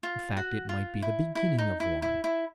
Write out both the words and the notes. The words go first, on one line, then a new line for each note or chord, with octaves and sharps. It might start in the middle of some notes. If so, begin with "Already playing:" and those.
In fact, it might be the beginning of one.
F4
F#4
F4
E4
E4
D#4
E4
E4
E4